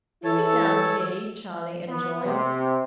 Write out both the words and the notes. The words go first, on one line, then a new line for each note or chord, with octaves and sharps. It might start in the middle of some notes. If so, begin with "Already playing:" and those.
"Sit down, Teddy," Charlie enjoined.
E3 E4 A4 C#5 A5
B3
C3